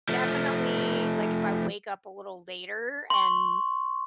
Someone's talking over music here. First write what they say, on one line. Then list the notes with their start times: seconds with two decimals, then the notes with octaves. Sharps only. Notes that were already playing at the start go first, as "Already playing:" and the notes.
definitely, like, if I wake up a little later and,
0.09 F3 A3
3.10 C6 C#6